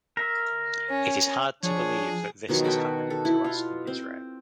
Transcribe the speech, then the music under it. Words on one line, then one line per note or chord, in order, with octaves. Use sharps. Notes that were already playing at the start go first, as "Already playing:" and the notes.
It is hard to believe that this is happening to us in Israel.
A#4 E5
C#4
F3 D4 G#4 C#5
B2 D#3 F3 F#3
F#4 A4 B4 G5
A4
E4
F4
C4